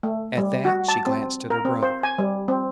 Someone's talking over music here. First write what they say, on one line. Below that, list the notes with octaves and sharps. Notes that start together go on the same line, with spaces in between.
At that, she glanced at her brother.
A3
G3
F#4
A5
C4
A#4
C4
C5
G#5
G3
C4